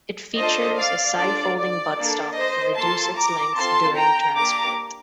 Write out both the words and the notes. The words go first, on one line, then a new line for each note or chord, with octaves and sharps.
It features a side-folding buttstock to reduce its length during transport.
D4 F4 A4 C5 D#5
D5 F5
D4 F4 A4 D5
D5
A#3 D4 A4
C5 D#5
A#3 F4 A4 A5 C6
A#5 D6
C4 F4 A4 A5 C6
G5 A#5
A#3 D4 G4 A#5 D6